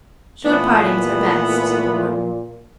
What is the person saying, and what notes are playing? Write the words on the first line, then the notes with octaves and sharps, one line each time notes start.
"Short partings are best," said the Warden.
A#2 E3 A3 B3